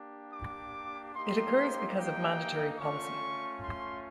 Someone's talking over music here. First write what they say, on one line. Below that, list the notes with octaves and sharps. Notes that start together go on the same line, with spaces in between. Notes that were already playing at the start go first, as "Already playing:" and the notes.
It occurs because of mandatory policy.
Already playing: A#3 D4 G4
D6
A#3 D#4 G4 C6
G5
A3 C#4 F4 C#6
C6